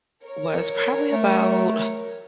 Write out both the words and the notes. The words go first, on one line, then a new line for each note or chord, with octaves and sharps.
was probably about
A#4 C#5
A3